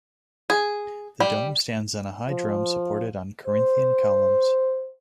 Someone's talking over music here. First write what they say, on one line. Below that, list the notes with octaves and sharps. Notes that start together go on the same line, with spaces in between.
The dome stands on a high drum supported on Corinthian columns.
G#4
G3
F3
C5